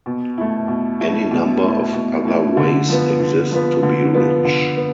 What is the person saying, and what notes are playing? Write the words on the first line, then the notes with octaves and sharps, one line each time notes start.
Any number of other ways exist to be rich.
B2
A3 E4
B2
A3 E4
B2
A3 E4
B2
A3 E4
D3
F3 B3
D3
F3 B3
D3
F3 B3
D3
B3